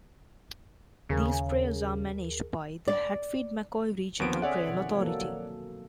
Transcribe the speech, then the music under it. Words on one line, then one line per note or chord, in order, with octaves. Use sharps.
These trails are managed by the Hatfield-McCoy Regional Trail Authority.
D#2 C#3 G#4 A#4
D5
D#2 D3 B3 C4 D7
G#4 C#5 D5 E5 F#5
B2 D#3 F3
F#3 A#3 A4